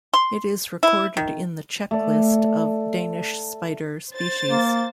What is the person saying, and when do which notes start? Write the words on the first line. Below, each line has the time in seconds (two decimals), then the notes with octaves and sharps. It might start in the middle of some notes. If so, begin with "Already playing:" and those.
It is recorded in the checklist of Danish spider species.
0.14 C6
0.83 E4
1.17 D#3
1.91 A3 D5
4.15 C5 A6
4.50 A#3